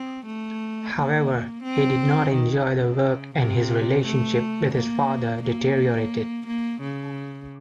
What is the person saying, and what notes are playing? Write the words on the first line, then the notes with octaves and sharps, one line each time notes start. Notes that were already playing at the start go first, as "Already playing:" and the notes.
However, he did not enjoy the work and his relationship with his father deteriorated.
Already playing: C4
A3
A#3
C4
D#3
C#3
C3
A3
A#3
A#3
A#3
C#3